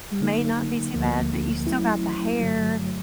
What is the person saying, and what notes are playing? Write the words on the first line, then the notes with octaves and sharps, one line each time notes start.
may not be too bad, but you still got the hair
D3 F#3 A#3 D#4
D2 D3 F3 A#3
F#3 A3 C#4 E4
G2 D3 F#3 A3